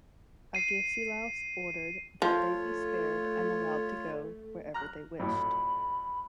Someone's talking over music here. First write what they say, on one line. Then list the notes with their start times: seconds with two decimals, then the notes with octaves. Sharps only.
Agesilaus ordered that they be spared and allowed to go wherever they wished.
0.55 C7 D#7
2.22 F3 A3 F4 C#5
4.74 A#5 F6 F#6
5.19 F2 A2 F#3 B5